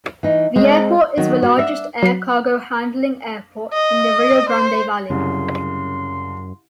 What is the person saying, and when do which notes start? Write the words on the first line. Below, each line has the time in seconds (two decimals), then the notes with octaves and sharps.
The airport is the largest air cargo handling airport in the Rio Grande Valley.
0.23 E3 D#4
0.56 G#3 C4
1.17 D#3 F#3
1.42 B3 F#4
1.57 D4 E5
2.03 F#3 C7
3.73 D#5
4.49 C5
5.10 C2 F#2 C#3 C6